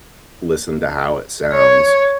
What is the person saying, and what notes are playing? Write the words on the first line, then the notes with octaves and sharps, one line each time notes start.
listen to how it sounds.
C#5